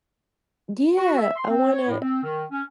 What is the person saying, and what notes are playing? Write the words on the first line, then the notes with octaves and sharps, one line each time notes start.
Yeah, I wanna
F#4
E5
C6
C4
C#5
A2
C4
D#3
C#4